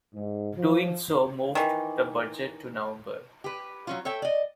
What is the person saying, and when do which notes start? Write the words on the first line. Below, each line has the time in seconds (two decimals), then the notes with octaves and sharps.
Doing so moved the Budget to November.
0.14 G#2
0.57 F3
1.55 D#3 E3
3.44 G4 B4
3.87 F#3 C#4 F4
4.05 A4 C#5 E5 G5
4.22 D5 D#5